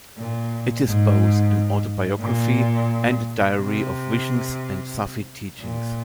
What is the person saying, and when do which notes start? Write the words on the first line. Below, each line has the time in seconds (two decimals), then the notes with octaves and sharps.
It is both an autobiography and a diary of visions and Sufi teachings.
0.17 A#2
0.85 G#2
2.20 A#2
3.56 C3
5.59 A#2